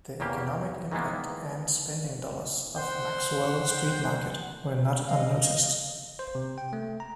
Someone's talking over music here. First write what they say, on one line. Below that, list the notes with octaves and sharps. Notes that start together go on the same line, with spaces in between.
The economic impact and spending dollars of Maxwell Street Market were not unnoticed.
E2 C#3 A#3 G4
D#3 E3 G#3 A#3 B3
C5 F#5 G5
D#5 F5
C5
C3
G5
A3
A#5